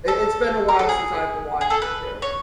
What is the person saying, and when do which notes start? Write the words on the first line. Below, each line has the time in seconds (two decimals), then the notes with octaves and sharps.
I It's been a while since I've watched it too.
0.08 A4
0.68 A#4
0.79 A4
0.89 G#4
1.61 G#4
1.70 A4
1.82 B4
2.22 C#5